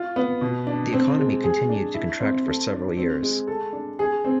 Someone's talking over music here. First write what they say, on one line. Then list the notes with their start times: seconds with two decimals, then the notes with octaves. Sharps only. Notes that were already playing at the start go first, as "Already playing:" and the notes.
The economy continued to contract for several years.
Already playing: F4
0.16 B3
0.41 B2
0.67 D4
0.93 C4
1.18 G#3
1.44 G#4
1.69 D4
1.94 E4
2.20 C4
2.46 A4
2.71 D4
2.97 C4
3.23 G#3
3.47 A4
3.73 D4
3.99 G#4
4.25 C4